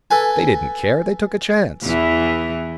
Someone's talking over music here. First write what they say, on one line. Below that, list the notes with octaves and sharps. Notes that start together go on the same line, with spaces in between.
They didn't care! They took a chance.
A4 B4 G#5
E2 E3